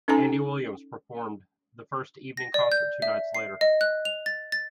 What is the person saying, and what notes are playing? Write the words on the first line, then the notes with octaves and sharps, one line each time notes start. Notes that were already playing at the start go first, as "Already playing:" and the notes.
Andy Williams performed the first evening concert two nights later.
C#4 D#4 A4 G#5 A#5
A#6
D5
G6
E5
C7
D#5
F#6
F7
A6
A6